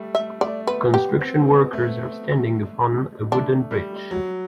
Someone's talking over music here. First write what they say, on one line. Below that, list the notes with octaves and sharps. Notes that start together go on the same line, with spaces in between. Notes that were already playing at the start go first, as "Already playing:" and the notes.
Construction workers are standing upon on a wooden bridge.
Already playing: G3 A3
A3 E5
A3 D5
B3 B4
B3 G4
C4
B3
A3
A3 D4
G3
F#3